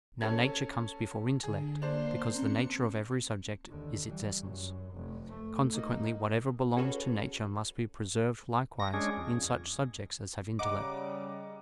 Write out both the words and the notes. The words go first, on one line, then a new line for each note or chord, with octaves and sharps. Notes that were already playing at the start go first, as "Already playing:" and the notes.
Now nature comes before intellect, because the nature of every subject is its essence. Consequently whatever belongs to nature must be preserved likewise in such subjects as have intellect.
C#4 A4 G#6
D3 G#4
A#3 D4 C5 C6
C4 C#4 C#7
D#2 D3
E3 G3
F#2
F1
A3
A#3 D#4
C#4 F#4 G#4 A4 B4 C#5
A#6
G#3 C#4 D4 G#4
F2
C#3 G3 D#5 F#5 A#5 D6